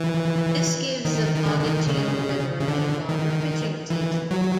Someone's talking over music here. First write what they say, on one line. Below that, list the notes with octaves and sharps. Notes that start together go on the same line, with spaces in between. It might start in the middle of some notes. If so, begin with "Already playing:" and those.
This gives the Bogachiel River a longer fishing season.
Already playing: E3
D#3
D#3
D3
D3
D#3
C#3
C#3
D3
D#3
E3
F#3